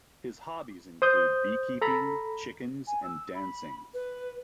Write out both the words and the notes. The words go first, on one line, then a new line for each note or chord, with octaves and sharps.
His hobbies include beekeeping, chickens and dancing.
C5 D#6 G6
A4 A#5 B5
G#5
E6
B5
B4